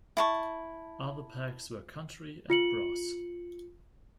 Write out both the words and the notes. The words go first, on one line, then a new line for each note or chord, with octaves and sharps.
Other packs were "Country" and "Brass".
E4 A5 C#6
F4 C#7 F#7